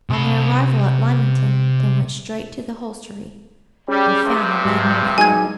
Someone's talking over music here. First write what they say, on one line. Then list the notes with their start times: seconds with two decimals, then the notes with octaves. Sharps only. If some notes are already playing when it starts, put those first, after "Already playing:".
On their arrival at Lymington, they went straight to the hostelry, and found the landlord at home.
0.10 C3 B5
3.88 G3 C#4 G#4
4.23 C2 G2 C3
4.65 G#2 F#3 G3
5.18 F#3 G#3 D#4 G#5 G#6